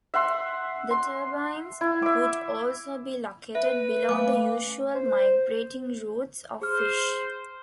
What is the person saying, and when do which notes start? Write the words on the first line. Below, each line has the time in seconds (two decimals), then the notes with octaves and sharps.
The turbines would also be located below the usual migrating routes of fish.
0.14 E5 F#5 C6
0.91 C6
1.81 E4
2.02 E5 D6
3.55 B4 E5
4.09 A3 F5 G#5 D6
4.95 C5
6.62 G#4 C5 F6